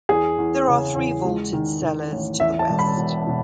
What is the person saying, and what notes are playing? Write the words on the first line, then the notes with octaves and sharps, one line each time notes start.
There are three vaulted cellars to the west.
E2 G#4
E2
C#3
E2
G#3
D#3
D#3
A1
E2 E5
A5
E1
B5
B2
B2